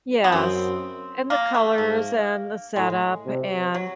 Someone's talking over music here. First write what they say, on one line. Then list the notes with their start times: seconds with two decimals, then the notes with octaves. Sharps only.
Yes, and the colors and the setup, and
0.24 B3
0.32 F#2 C4
1.30 A#3
1.54 A3
1.78 G#2 A#3
2.76 A2 G#3
3.26 C3
3.74 F#3